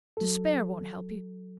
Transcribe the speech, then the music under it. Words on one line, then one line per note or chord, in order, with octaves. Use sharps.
Despair won't help you.
F#3 A4